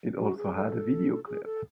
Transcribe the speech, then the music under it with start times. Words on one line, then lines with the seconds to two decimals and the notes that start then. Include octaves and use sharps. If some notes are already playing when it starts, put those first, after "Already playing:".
It also had a video clip.
0.18 F#4
0.37 G#4
0.55 A4
1.27 G#4
1.45 A4